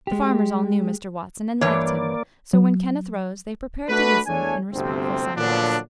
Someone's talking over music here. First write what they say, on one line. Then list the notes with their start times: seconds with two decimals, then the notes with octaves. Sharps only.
The farmers all knew Mr. Watson, and liked him; so when Kenneth rose they prepared to listen in respectful silence.
0.07 G#3 G4
1.61 G2 E3 A#3 C#5 D5
2.53 F#3
3.89 A3 D4 F#4 B4
4.27 E2 A3 D4 C#5 G#5
4.73 G1 D2 C3 C4
5.36 A#2 D3 F3 F#3 B3 D4